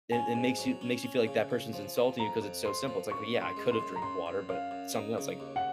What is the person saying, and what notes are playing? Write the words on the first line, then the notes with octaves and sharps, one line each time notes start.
it it makes you makes you feel like that person's insulting you 'cause it's so simple. It's like, "Yeah, I could have drinked water," but something else like,
C#4 G#5
G#2
F#3
C#4
C#4
C#3
C#3
F3
F3
F2 A#5
F2
F2 C6
F3
F#2 C#6
F#2
C6
G#3
C6
F#2
A#5
F#2 C6
F#2
F#2 F5
F#2
D#4
C#3
D#2
F#5